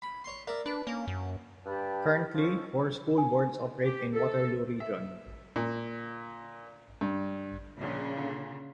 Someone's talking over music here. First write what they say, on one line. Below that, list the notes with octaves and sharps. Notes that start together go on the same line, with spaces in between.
Currently, four school boards operate in Waterloo Region.
B5
C#5 C6
A#4 D5 E5
D4 B4
A#3 C#4
F#2
G2 G4 A5 B5
F3 C#4 A4
G#5
G4
A4
E5
A#2
G2
A#1 A#2 C#3 D4
A#2 D3